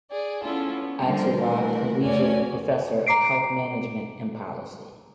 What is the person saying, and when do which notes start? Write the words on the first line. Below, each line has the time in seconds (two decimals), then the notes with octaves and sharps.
Axelrod Collegiate Professor of Health Management and Policy.
0.11 G#4 D5
0.43 B3 C#4 E4 F4 A4
0.72 B3
1.04 D3 F3 G3 A#3 F4 A#4
1.41 E3 A3 A#4 B4
2.03 F2 A3 C#4 F#4 D5 G#5
3.07 A#5 D6 C7 D7